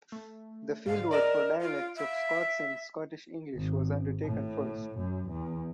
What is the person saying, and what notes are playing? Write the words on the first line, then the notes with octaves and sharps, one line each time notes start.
The fieldwork for dialects of Scots and Scottish English was undertaken first.
A3
G#2 D3 F5
A#4 D5 D#5 E7
F4 F5 D7
E5
G#1
A2
F#2
E2